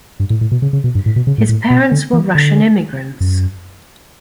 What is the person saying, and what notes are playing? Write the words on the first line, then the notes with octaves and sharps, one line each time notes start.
His parents were Russian immigrants.
G2
A2
A2
B2
C#3
C#3
B2
G2
A2
B2
C#3
A2
A2
B2
D3
E3
D3
F#2